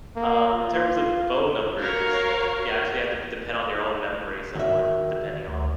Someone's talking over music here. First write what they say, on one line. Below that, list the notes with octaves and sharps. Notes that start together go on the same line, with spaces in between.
Um, in terms of phone numbers, you actually had to d depend on your own memory somewhat, depending on
A#3
F4
F#4 A#4 C#5 F5
D#3 F#4 E5
D2